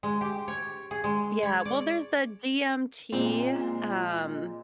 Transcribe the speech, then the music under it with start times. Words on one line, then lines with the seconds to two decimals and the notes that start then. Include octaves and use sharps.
Yeah, well, there's the DMT, um,
0.03 G#3
0.21 G4
0.48 C#5
0.91 G#4
1.04 G#3
1.43 C#5
1.65 D5
3.12 A#2 G#3 C4